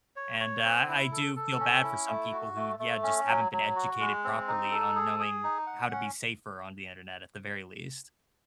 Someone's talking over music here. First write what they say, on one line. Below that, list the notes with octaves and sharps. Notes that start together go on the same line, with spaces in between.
And, uh, I do feel bad for some people who, yeah, just haven't been educated properly on knowing how to be safer on the Internet at the very least.
C#5
C#5
C4
E4
A4
A4
C#4
E4
A3
F#4
A3
A3
C#4
F#3
F#3
F#4
G#3
C4
D#4
A4
G#4
G#4
D#4
F#5
C#4